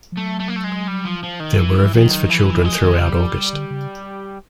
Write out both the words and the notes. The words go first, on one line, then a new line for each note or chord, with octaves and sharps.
There were events for children throughout August.
F3
F#3 A3
A3
A#3
A3
G#3
G3
F3
F3
D#3
E3 F3
F3
D#3 F3
F#3
E3 F3
F3
F3 G#3
D#3
C#3 G3
F#3
F3
D3
C#3